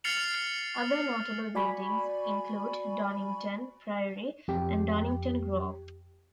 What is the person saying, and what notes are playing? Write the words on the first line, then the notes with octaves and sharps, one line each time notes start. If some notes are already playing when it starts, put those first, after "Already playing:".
Other notable buildings include Donnington Priory and Donnington Grove.
F6 A6 C7 C#7 F7 F#7
F#4 D5 G#5 B5 C#6
F2 G4